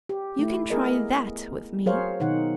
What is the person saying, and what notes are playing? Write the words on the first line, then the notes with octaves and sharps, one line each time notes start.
You can try that with me.
G4
A3 E4
B3 G#4 A#4 D#5
F#3 G#4 A#4 C5 C#5 F5
B2 D#3 D#4 F#5